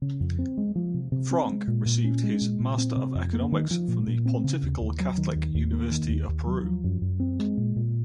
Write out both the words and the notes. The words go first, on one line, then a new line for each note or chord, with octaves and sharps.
Francke received his Master of Economics from the Pontifical Catholic University of Peru.
C#3
F2
C4
G#3
F3
C3
C3
C4
G#3
A#2
A#2
C#4
G#3
A#2
A#2
C4
C3
F2
A#3
D#3
F3
A#2
A#2
C4
C#3
D#2
D#2
F#3
D#3
D#2
D#2
A#3
D#3
D#2
D#2
F#3
F3
F#2
F#2
C4
G#3
A#2
A#2